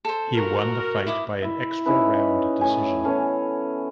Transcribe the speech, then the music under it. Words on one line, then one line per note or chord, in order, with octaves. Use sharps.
He won the fight by an extra round decision.
A4 C5
F#4 A#4
E4 D6 D#6
E4 E5
C#4 D#4 E4 B4
A2 G#5
E3 B3 C#4 A4